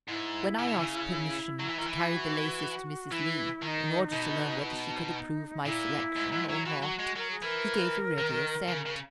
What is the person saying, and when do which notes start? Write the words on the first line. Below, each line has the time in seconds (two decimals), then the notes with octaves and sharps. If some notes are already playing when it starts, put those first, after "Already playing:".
When I asked permission to carry the laces to Mrs. Lee, in order to learn whether she could approve my selection or not, he gave a ready assent.
0.08 G#2 E4
0.59 C#3
0.68 B2
0.79 C#3
1.60 F#3
1.69 E3
1.79 D#3
1.87 E3
2.10 G#4
2.14 F#4
3.11 E3 E4
3.62 D#3 E4
3.67 D#4
4.12 B2
4.63 E4
4.67 D#4
4.89 D#4
5.65 A#2 E4
6.16 G#2
6.32 G#2
6.49 F#3
6.66 E3 F#4
6.82 F#3
6.99 G#3
7.16 F#3 A#4
7.30 G#4
7.43 E3 A#4
8.18 D#3
8.68 C#3
8.86 C#3